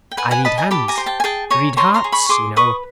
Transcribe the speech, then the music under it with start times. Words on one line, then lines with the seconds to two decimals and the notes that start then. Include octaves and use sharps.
I read hands--read hearts, you know.
0.11 G5
0.17 B4 F#5 G#5
0.31 F#5 G#5
0.45 D#5 A5 B5
0.58 G#5 A#5
0.71 G4 A5 B5
0.88 G#5 A#5
0.97 C5
1.06 G5 A5
1.20 G#5
1.24 G#4 G5 A5
1.51 C#5 G#5 A#5
1.77 C#5 A#5 C6
1.94 A#5 C6
2.04 G#4
2.12 B5 C#6
2.29 G#4 C6 D6
2.56 B4 C#6 D#6